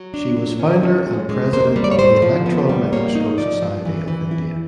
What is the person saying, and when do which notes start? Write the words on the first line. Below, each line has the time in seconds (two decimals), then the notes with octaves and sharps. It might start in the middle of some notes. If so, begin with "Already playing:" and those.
She was founder and president of the Electron Microscope Society of India.
Already playing: F#3
0.14 D4
0.37 F#3
0.60 C#4
0.83 C#4
1.07 G#3
1.29 G#3
1.53 A#3 C5
1.76 G3
1.84 D5
1.91 C#5
1.99 A2 C5
2.22 F3
2.46 B3
2.69 G3
2.93 A#3 C#5
3.15 D#4
3.38 F3 D5
3.62 F3
3.85 E3
4.08 E3
4.31 E4